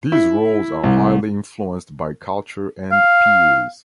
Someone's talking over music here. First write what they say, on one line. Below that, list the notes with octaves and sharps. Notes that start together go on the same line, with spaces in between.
These roles are highly influenced by culture and peers.
E4
C2
F5